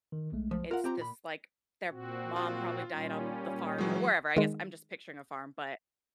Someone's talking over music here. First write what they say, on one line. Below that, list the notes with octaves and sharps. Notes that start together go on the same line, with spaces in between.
it's just, like, their mom probably died on the farm or wherever, I guess I'm just picturing a farm, but
D#3
B1 G#3 A3
F3
F4 A#4 F5 F#5
C4 G4 A#5
A#2 B5
A#2 C4 F#4
F4
A#2 G3 C#4
E3 F#3 G#3
D#3 G#3